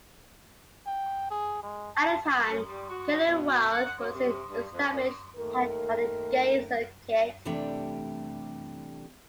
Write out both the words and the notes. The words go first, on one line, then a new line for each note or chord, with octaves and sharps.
At the time, Kelly Wilde was an established act on the gay circuit.
G5
G#4
G#3
A5
C#4
G3
F#4
B2
F#5
F#3
C3
G2
F2
A#2
D#2 A3 A#4
C3 E3 G3 A3 D4 G5